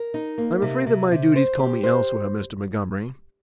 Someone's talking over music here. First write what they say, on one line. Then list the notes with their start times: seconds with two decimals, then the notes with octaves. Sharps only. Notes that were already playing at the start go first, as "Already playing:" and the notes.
"I am afraid that my duties call me elsewhere, Mr. Montgomery."
Already playing: A#4
0.14 D#4
0.38 A#3
0.62 C3
0.87 C3
1.11 C3
1.36 C5
1.59 G4
1.83 C5